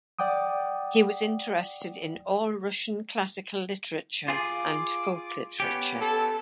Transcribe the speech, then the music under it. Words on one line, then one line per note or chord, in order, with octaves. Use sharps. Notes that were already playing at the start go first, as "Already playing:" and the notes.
He was interested in all Russian classical literature and folk literature.
D5 F#5 G5 D6 D#6
F4 G#4 D6
B3 C#4 G4
A4